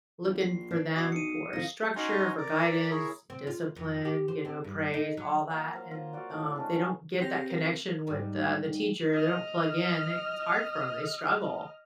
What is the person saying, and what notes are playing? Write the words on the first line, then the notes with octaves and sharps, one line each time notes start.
looking for them for structure, for guidance, discipline, you know, praise, all that, and, uh, they don't get that connection with the the teacher, they don't plug in, it's hard for 'em, they struggle.
G1
A#1 C7
D4
B2 D#6 C7
B1 C#7 D#7
F2 D#3 F3 A#6
C#4 D#4 F#4 G#5 A#5 C6
A#4 D5
E4 G#4 A#4 C#5
C4
F4
F2
G4
C5
C4
G2
D#4
F#3
F#3 A#3 F4 A#5
C5 F5
F4 C5
F#4 D5 F5
A2 D4
G#3 C#4 D4
C4 G4 G5 A#6 C7 F7
A#4
G#2 G3 D#4
D#5 F6